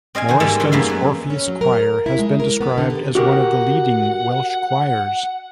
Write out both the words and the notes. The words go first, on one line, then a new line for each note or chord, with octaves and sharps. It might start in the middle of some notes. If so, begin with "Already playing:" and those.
Morriston's Orpheus Choir has been described as one of the leading Welsh choirs.
C4 D#5 F5 G#5
D#3 E3 C5
G#2 G3 A#3 D#4 E5 A5
D#3 E3
F#2 A#3 B3 E5 C6
F#3 G#3
C#4
F#3
A#4
E4
G#3
A#4
B3
D3
G4
F#4 G4 A#4 F#5